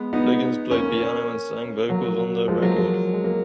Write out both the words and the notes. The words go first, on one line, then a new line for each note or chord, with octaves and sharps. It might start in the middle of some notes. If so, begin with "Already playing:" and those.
Liggins played piano and sang vocals on the record.
Already playing: G#3 B3
B3 D#4
A#3 C#4
F#3 A#3
F3 G#3
F#3 A#3
G#3
A#3